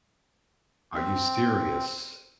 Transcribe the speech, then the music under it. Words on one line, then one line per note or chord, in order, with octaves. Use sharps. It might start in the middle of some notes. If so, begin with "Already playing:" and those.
Are you serious?
C4